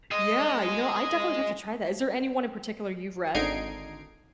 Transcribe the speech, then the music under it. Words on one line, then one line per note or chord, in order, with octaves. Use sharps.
Yeah. You know, I definitely would have to try that. Is there anyone in particular you've read
G#4 D#5
G#1 D3 D#4 G#6 C7 D7